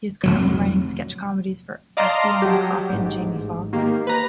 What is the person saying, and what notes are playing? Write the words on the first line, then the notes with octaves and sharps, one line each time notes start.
He is currently writing sketch comedies for Affion Crocket and Jamie Foxx.
F1 C2 F#3
D5 D#5 F5 A5 A#5 C6
F#3 G4
A1 G#2
D#3 A#3 G4
B4 A#5